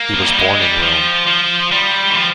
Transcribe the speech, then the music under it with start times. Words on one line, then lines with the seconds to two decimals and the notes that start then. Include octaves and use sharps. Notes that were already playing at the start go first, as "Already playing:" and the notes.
He was born in Rome.
Already playing: A#3
0.14 F3
0.26 G3
0.38 G#3
0.60 G3
0.82 F3
1.27 F3
1.72 G3
2.10 E3
2.17 F3